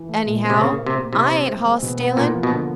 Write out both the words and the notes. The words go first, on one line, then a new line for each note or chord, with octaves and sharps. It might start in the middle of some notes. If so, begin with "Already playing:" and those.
Anyhow, I ain't hoss stealin'.
Already playing: E3
A3
A#2
C4
C3
C#3 A#3
A#3
C3
A#3
C3 E4
C4
C4
G#3
B2
B3
A#2 A#3
F3
B2
D3